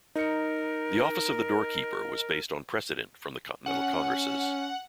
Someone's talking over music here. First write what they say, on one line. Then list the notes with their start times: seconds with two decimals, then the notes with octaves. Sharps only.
The Office of the Doorkeeper was based on precedent from the Continental Congresses.
0.15 D#4 A#4 C#7
3.66 C#4 F#5